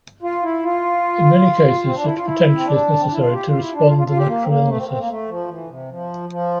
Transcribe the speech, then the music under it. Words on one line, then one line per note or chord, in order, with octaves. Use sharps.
In many cases such potential is necessary to respond the natural illnesses.
F4
E4
F4
C4
D4
E4
F4
E4
C4
D4
C4
D4
E4
F4
G4
F4
E4
D4
F4
F4
F4
G4
A#3
C4
A#3
A3
C4
C4
A#3
A3
F3
E3
D3
C3
F3
F3